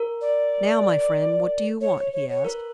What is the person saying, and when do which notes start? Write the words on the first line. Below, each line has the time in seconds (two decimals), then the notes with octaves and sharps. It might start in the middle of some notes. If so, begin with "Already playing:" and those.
"Now, my friend, what do you want?" he asked.
Already playing: A#4
0.21 D5
1.81 C#5
1.97 C#5
2.13 C#5
2.29 C#5
2.45 A#4 B4